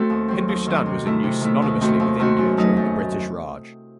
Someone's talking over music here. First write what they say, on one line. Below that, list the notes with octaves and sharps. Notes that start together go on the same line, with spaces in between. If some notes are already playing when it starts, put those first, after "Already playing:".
"Hindustan" was in use synonymously with "India" during the British Raj.
Already playing: A3 C4 F#4 A4
D#2
D#3 F#3 C4
D#2
D#3 F#3 C4
C3
D#3 A3 E4
C3
D#3 A3 E4
D#2
D#3 A3 C4 F#4
D#2
D#3 A3 C4 F#4
F#2
F#3 A3 D#4
F#2